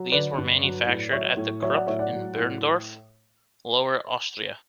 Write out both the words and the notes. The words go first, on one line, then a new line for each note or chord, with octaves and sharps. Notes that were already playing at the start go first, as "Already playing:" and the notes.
These were manufactured at the Krupp in Berndorf, Lower Austria.
Already playing: F#3
D3 B4 D5
G2
F#3
A2
F#3 C#5 E5
A2
F#3 C#5 E5
D5 F#5
A2 C#5 E5
D5 F#5
F#3
A2